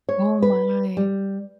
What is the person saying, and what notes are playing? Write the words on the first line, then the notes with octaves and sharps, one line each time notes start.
Oh my.
C#5
B4
G3